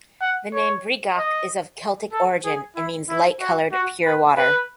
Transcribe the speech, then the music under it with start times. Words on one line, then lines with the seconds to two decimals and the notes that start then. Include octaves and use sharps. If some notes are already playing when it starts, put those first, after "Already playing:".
The name Brigach is of Celtic origin and means "light coloured, pure water".
0.21 F#5
0.53 C#5
1.17 D#5
2.13 A4
2.45 G#4
2.76 E4
3.09 E4
3.40 F#4
3.72 F#4
4.05 B4
4.37 B4